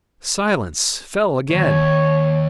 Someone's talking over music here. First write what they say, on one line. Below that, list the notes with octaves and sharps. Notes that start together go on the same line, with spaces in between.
Silence fell again.
D#2 C#5